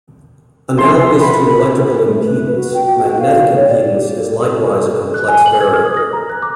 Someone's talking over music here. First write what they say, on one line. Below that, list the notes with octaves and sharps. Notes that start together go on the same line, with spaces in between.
Analogous to electrical impedance, magnetic impedance is likewise a complex variable.
F3 E5 C6
B4 F#5 B5
A3
B4
F#4
G5
F#4
F5
C#5
D5
G4
F#6
G#5
F#7
G#6
F6
D#6
A#6
A#5
F#6
D6